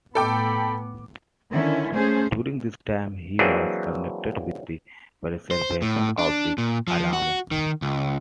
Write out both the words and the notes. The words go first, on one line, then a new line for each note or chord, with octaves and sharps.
During this time he was connected with the preservation of the Alamo.
A2 B3 A4 G5 B5 D6
D3 D#3 C#4 E4
A3 C#4 G#4 C5
E3 F#3 A#3 C4 D4 G#4
C5
A2
D4
A#2
F3
F#4
D#3
C#2